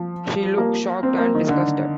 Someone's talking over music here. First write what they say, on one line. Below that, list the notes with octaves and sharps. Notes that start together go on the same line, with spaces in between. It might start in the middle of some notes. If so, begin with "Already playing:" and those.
She looks shocked and disgusted.
Already playing: F3
G3
A#3
C4
A#3
D#3
D3